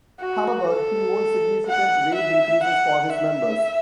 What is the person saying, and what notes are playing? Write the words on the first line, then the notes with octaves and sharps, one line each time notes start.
However, he won significant wage increases for his members.
F#4
A4
F#5
E5
F#5
E5